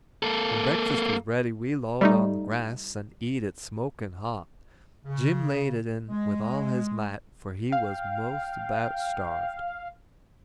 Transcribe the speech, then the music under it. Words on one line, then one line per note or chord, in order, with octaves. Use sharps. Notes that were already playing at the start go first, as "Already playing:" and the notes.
When breakfast was ready we lolled on the grass and eat it smoking hot. Jim laid it in with all his might, for he was most about starved.
A#3 A4
G3 A3 D#4
C#3
G#3
F5 G5